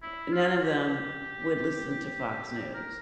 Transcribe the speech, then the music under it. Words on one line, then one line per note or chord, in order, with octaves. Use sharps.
eh, none of them would listen to Fox News,
E4
F4
G4
A#4